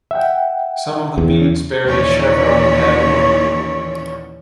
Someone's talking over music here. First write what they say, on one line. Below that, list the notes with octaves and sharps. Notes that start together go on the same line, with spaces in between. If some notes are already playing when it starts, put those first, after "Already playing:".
Some of the beads bear a chevron pattern.
E5 F#5 G5
E2
D#2 A#2 E3 C#4 C#5 D5